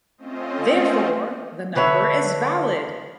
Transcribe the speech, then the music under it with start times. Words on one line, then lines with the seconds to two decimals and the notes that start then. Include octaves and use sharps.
Therefore, the number is valid.
0.18 A3 C4 C#4 F4 C5 D#5
1.75 D3 B4 C#5 E5